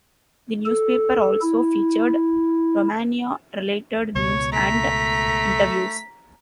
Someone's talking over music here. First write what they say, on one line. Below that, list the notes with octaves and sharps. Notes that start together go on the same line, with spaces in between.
The newspaper also featured Romania-related news and interviews.
A4
E4
C#2 B2 C#5
A3 A#5 B6